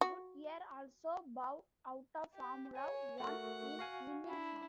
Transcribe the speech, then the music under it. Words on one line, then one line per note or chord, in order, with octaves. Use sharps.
Goodyear also bowed out of Formula One in winning form.
F#4
G4
C#5 G#5
A3 F#4 A#4 F#5
F#4 F5 G#5
D4 E4